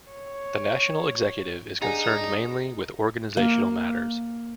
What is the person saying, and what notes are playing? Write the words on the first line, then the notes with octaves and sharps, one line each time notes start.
The National Executive is concerned mainly with organisational matters.
C#5
D4 D#4 G#4 F#5 G#5
A#3